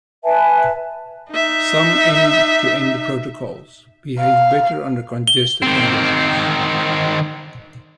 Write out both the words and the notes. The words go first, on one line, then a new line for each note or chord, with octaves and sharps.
Some end-to-end protocols behave better under congested conditions.
B4 E5 G#5 A5
D#4 E5
F5
G7
D#3 C4